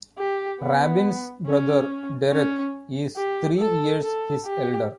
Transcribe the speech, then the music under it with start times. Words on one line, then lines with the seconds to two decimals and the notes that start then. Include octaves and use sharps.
Rabin's brother Derek is three years his elder.
0.18 G4
0.61 B3
1.46 C#4
2.31 C#4
3.17 G4
3.59 A4
4.02 A4
4.45 G4